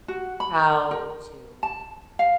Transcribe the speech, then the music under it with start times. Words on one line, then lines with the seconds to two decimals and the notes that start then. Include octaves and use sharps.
how to
0.08 F#4
0.40 B5
0.91 A#4
1.63 A5
2.19 F5